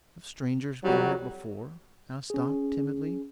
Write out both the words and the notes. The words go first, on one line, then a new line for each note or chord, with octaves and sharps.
"Have strangers been here before?" asked Dot, timidly.
F2 F#3 G3
C#4 G#4